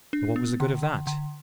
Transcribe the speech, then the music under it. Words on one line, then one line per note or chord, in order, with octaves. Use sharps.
But what was the good of that?
D4
B3
D3
D3
D3